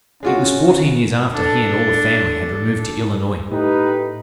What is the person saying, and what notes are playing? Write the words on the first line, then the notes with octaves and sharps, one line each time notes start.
It was fourteen years after he and all the family had removed to Illinois.
G#3 C#4 F4 F#4
D4 A4
A2 D#4 G4 B4